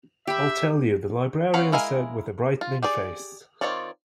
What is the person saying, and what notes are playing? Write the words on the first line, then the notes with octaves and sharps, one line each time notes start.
I'll tell you, the librarian said with a brightening face.
G4 E5 B5
C4 C#4 F5 F#5 B5
G#3 E4 A#4 F5 G#5
F4
G4 G#4 D5
D#3 C4 F4 C#5 D5